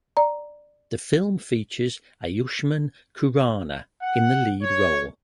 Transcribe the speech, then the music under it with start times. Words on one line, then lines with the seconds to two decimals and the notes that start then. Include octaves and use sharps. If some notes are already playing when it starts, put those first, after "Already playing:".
The film features Ayushmann Khurrana in the lead role.
0.17 D5 A#5
4.02 F#5
4.63 C#5